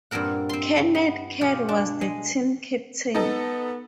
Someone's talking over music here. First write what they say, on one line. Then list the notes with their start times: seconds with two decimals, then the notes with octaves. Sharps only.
Kenneth Kerr was the team captain.
0.11 G2 A#2 C4 A#4 F#5
0.49 C4 C6
0.95 B3
1.41 B2 F4 G4
1.69 D4
2.01 G#3
3.15 B3 D#4 A4